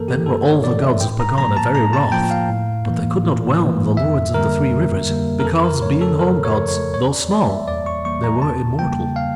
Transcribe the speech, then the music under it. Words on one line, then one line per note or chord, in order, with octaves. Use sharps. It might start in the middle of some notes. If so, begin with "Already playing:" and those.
Then were all the gods of Pegana very wroth; but They could not whelm the lords of the three rivers, because being home gods, though small, they were immortal.
Already playing: G2 E3 A#3 A4 A#4
G4
G2 A4
C#5
E3 A#3 D5
E5
A2 G5
A#5
F3 A#3 A#5
A5
A2 A#5
A5
F3 A#3 G5
F5
A2
E3 A#3
A2
E3 A#3
F2 E5
D3 G3 A#3 A#4
F2
D3 G3 A#3
A#4
F2 A4
A#4
C#3 F3 A3 C#5
A4
F2 A#4
C#5
C#3 F3 A3
C#5
E2 C#5
D5
E3 G3 A#3 D5
E5
E2 D5
C#6
E3 G3 A#3 C#6
A#5
E2 A5
C#3 G3 A#3 G5
F5